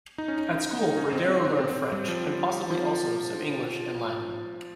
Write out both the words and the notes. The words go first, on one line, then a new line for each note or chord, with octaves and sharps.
At school Bredero learned French and possibly also some English and Latin.
D#4
C#4
D#4
D#4
C#4
C4
C4
C4
C4
G3
F3
F3